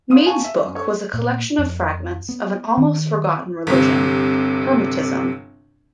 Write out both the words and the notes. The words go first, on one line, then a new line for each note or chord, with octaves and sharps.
Mead's book was a collection of fragments of an almost forgotten religion: Hermetism.
B3 F5 C6 D#6 D#7
F5 G#5 A5 C#6
E5
F#2
A4 C#5
A#2
F2
B3
D#3
G1 C3